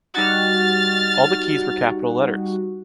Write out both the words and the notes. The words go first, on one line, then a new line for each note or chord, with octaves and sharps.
All the keys were capital letters.
G3 D#4 F#4 F6 A6